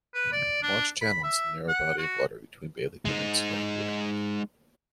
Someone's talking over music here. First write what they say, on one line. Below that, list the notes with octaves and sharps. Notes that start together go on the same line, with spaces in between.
Launch Channel is the narrow body of water between Bailey Peninsula and the island.
B4
D5
D4
B5
E5
F#5
F#4
G#3 D#4